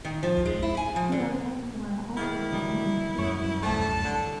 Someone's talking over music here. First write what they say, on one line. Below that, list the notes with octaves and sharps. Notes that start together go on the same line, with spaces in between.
Two others were also killed in the shooting.
D#3
F3
G#3
E4
G#5
F3
D3
G#2 D#3 E4 F5
D3 E3 F#3 G3 D#4
F#2 B3 C#5
A2 C3 G3 A3 A5
D3